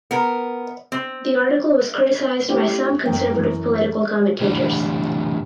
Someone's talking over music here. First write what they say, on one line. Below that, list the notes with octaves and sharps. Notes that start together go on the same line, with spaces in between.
The article was criticized by some conservative political commentators.
B3 A#4
C4
A3 C#4 E4 G4 C#5 G5
F#2 G5
F#2 E3
A2 D3 E3 G3